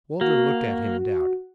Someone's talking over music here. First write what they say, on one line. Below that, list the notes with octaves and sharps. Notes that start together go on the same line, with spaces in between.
Waldron looked at him in doubt.
A#3 F#4